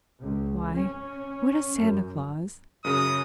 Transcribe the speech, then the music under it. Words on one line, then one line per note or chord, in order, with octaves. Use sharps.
Why, what a Santa Claus!
C#2
C#4
F#2
F#2 C#3 D#6